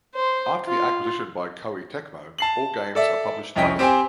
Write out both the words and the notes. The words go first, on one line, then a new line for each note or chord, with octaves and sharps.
After the acquisition by Koei Tecmo, all games are published by them.
C5
F4
A5 C7 F#7
A4 D5 E5
C2 F2 C#4 D#5 G5 B6
C4 G4 C5 G5 G#5